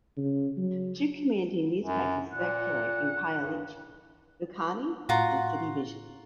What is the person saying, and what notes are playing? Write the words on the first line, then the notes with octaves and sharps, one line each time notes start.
Two community newspapers circulate in Khayelitsha, "Vukani" and "City Vision".
C#3
F#3
F#2
A#2 F#5
G2
A2 F4 F#4 A#5